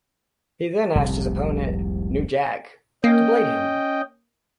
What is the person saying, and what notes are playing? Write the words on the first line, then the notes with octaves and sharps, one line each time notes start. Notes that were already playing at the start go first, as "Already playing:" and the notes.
He then asked his opponent, New Jack, to blade him.
F1 C2 G#2 C3
A#3 C#4 D#5 G5